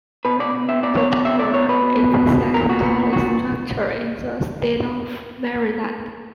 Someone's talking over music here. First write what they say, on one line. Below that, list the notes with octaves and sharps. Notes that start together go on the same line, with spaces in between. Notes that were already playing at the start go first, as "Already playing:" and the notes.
The tower is the second tallest structure in the state of Maryland.
B2 B4
B2 D5
B2
B2 E5
B2 D5
B2 C#5
B2 D5
B2 E5
B2 D5
B2 C#5
B2 B4
B2
B2
B2
B2
B2
A#2 A#4
A#2 F#4
A#2 B3
A#2
A#2 F#4
A#2